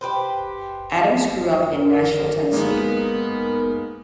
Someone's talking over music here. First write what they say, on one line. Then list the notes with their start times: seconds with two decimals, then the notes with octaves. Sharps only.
Addams grew up in Nashville, Tennessee.
0.01 G4 B4 C5
1.71 A#4
2.53 G#3 A#3 B3 D#4